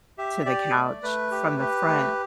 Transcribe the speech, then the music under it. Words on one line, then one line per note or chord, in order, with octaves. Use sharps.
to the couch from the front.
G4 E5
G4 D5
A3
A3 B4
G4
G4
A3